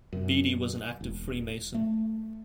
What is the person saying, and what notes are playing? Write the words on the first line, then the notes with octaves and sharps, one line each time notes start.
Beedy was an active Freemason.
F#2
E1
A3